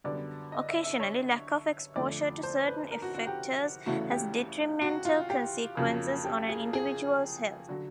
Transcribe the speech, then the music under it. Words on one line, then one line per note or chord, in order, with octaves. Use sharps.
Occasionally, lack of exposure to certain effectors has detrimental consequences on an individual's health.
F#2 D3 G3 B3 D5
D#5
E5
E5
C#5
F2 D3 F3 A3 D5
C5
B4
A#4
F#4
F#4
G4
E2 C#3 E3 A3 F#4
G4
F#4
F4
G4
F2 C#3 F#3 A#3
G4
G#4
G#4
D3 F#3 F#4